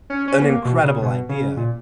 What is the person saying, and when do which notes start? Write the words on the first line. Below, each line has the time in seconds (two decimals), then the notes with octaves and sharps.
an incredible idea,
0.10 C#4
0.28 C#4
0.42 B3
0.46 A#3
0.65 B2
0.83 C#3
1.02 B2
1.29 C#3
1.57 A#2